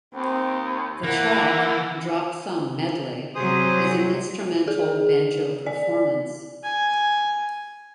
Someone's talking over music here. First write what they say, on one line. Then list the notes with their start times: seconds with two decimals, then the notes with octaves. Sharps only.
The track "Drop Thumb Medley" is an instrumental banjo performance.
0.15 D#2 C4
1.03 E3 A#3 E5 F#5
3.35 C3 F#3 G#4 C5 D#6
4.68 G#4
5.66 D5
6.64 G#5